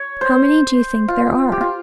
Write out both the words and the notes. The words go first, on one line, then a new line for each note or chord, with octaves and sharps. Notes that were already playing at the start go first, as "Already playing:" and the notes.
How many do you think there are?
Already playing: C#5
C5
F4
G4
F4